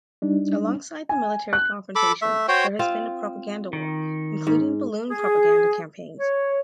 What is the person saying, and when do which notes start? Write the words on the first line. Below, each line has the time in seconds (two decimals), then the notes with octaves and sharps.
Alongside the military confrontation, there has been a propaganda war, including balloon propaganda campaigns.
0.22 G3 D4 D#4
1.09 G#5
1.53 F#6
1.95 A4 B5 D6
2.22 A3 E5
2.48 F#4 C5 C#5 G5
2.79 C4 F4
3.73 D#3
4.47 G#2
5.09 G#4
6.19 C#5